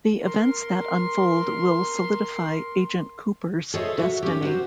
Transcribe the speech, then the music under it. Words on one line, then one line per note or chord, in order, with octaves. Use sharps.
The events that unfold will solidify Agent Cooper's destiny.
A#4 C6
G#4 A4 C5 C#5 D#5 E5
F#4 E5
C#4 G4
F#4 C5